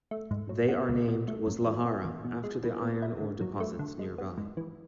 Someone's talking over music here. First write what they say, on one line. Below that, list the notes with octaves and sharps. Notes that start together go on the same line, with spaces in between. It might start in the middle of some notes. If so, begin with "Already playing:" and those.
They are named was Lohara, after the iron ore deposits nearby.
A3
G#2
F#3
B3
C#2
B2
A3
F#2
E3
B3
E2
B2
G#3
E3
B3
E4
D3
F#3
A3
D3
G#3
B3
G#2
E3